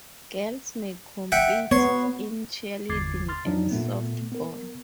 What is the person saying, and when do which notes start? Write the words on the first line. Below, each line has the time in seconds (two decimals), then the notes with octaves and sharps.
Girls may compete in cheerleading and softball.
1.32 E5 F#5 G5
1.71 B3 C#5 C6
2.89 G1 E2 D6 G#6 A6 C7
3.28 C6 F6 A6
3.46 F2 F3 F#3 D4 D#4
3.71 A#2 A3 B3
4.32 B3 A#4